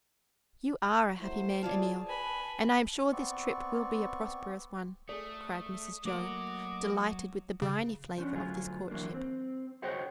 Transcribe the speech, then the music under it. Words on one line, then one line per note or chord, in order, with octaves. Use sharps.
You are a happy man, Emil, and I'm sure this trip will be a prosperous one,' cried Mrs Jo, delighted with the briny flavour of this courtship.
F#3 A3 E4 C5
E3 F#3 F4 G#4 D5 F5 A5
B4 G#5 B5
B3 C4 D5 C#6
A3 G#4 A4 D5 D#6
F#3 A3 A#3 F#4 D#5 D6
C#3
F3 C#4 D4
D2 F#3 F4 G#4
E3 F#3 A#3 D4
C4
F#4 G#4 C5 C#5 D#5 G5